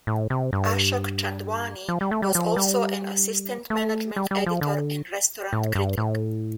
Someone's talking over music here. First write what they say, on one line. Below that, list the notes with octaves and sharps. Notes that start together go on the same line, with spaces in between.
Ashok Chandwani was also an assistant management editor and restaurant critic.
A2
C3
G2
F3
G3
A3
G3
F3
G3
A3
G3
G3
F3
D3
A2
G2
A2